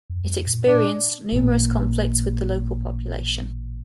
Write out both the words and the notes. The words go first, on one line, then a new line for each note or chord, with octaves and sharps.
It experienced numerous conflicts with the local population.
F2
F2
A#2
A#2 D4
A1 A#2